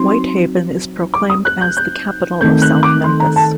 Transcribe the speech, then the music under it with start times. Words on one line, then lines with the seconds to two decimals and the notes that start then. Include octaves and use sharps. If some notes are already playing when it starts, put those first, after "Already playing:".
Whitehaven is proclaimed as the capital of South Memphis.
Already playing: F#3 C4 D#4 C6
1.14 D6
1.30 D#6
1.45 F#6
1.61 G6
1.77 G6
2.41 D#3 A3 C4 G6
2.62 F#6
2.83 D6
3.04 C6
3.20 A#5
3.36 A5